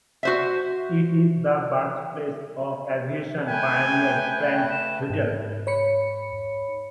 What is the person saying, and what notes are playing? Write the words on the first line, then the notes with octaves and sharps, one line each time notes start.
It is the birthplace of aviation pioneer Frank Whittle.
F#4 C5 E5
A3 B4 G5 G#5
E7
G#2
C#5 B5 C#7